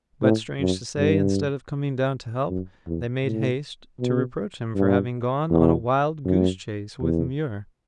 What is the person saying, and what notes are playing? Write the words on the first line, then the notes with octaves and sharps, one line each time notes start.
But strange to say, instead of coming down to help, they made haste to reproach him for having gone on a "wild-goose chase" with Muir.
A2
F#2
G2
F#2
E2
A2
B2
G2
E2
F#2
E2